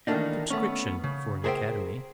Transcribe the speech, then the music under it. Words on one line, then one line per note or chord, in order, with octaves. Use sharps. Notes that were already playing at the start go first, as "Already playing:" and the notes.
Subscription for an Academy.
D#3 E3 A3 A#3 D4 D#4
A3 B3 C#4
C#3
G#4 A#4 C5 D#5 E5 G5